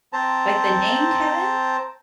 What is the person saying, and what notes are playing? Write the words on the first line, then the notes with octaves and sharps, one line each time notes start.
Like, the name Kevin?
C4 C5 A5 A#5